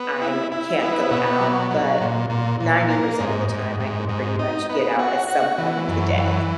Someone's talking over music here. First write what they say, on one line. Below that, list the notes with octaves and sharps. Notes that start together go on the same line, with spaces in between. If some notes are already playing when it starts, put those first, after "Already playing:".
I'm can't go out, but n ninety percent of the time I can pretty much get out at some point of the day.
Already playing: B3
E4
E4
B3
B2
F#3
F#3
A#2
A#2
A#2
A#3
G#2
G#2
G#2
G#2
D#4
B3
F#4
F#4
E3
F#2
E3